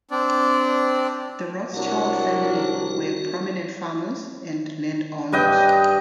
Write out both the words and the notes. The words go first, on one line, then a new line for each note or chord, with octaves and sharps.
The Rothschild family were prominent farmers and landowners.
C4 D4 D5
C2 F#3 D4 F#4 A#4
G2 B4 D#5 G5